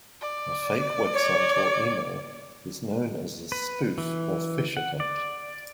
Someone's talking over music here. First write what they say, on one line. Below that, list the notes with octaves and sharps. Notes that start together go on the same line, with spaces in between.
A fake website or email is known as a spoof or phish attempt.
D5
C#5
B4
E3
F#5
D5